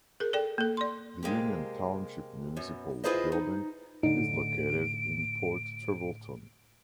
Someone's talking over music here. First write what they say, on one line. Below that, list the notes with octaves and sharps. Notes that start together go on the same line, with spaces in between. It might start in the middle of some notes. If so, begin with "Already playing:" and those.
The Union Township Municipal Building is located in Port Trevorton.
G#4 A#4
A4 D5 G5
A#3 A4
D5 C6
C3 G#3 A#3 G4
F#2 B2
E4 F4 G#4 B4 C5 D#5
D#4
A2 D3 D#4 D7